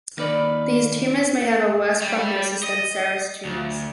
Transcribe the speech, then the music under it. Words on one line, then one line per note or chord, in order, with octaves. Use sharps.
These tumors may have a worse prognosis than serous tumors.
D#3 A#3 D#4 B4 D5
G3
D#5
D2